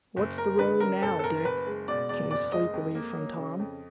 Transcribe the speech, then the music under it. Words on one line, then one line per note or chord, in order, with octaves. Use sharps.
"What's the row now, Dick?" came sleepily from Tom.
F#1
F#1 A#4
D3 B4
F#2 A#4
F#1 A4
A4
F#1 A#4
F#1 B4
G#3
B2 D5
E2 D5
F#1 D5
G#3 D#5
F2
A#3
F#3
C#3
F2